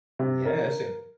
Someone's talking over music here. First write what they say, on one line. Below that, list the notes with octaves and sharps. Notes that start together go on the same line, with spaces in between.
Yes, and
C3
A#4